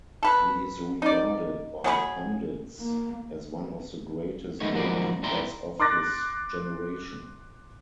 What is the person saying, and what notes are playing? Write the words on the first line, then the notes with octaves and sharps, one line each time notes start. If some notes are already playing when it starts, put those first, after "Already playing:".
He is regarded by pundits as one of the greatest goalkeepers of his generation.
A4 B4
D#4 D5
F#3 G#4 B4 B5
A#3
D#3 G#3 A3 B3 D#4 C#5
D#2 G#2 F3 F#3 A#4 D5
G#2 G3 E4 D5 A#5 C6
C6 D6 F#6 A6 A#6